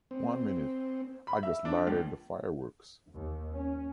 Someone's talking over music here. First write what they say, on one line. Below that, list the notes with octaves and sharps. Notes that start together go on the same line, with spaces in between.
One minute. I just lighted the fireworks.
C4
B5
E5
D4
C#2
D#2
C#4